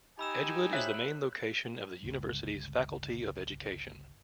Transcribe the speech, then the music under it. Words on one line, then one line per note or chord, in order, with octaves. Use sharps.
Edgewood is the main location of the university's Faculty of Education.
D#4 G4 G#5 B5 E6 E7
C5 C#5 E5 F#6 F#7
G1 C#2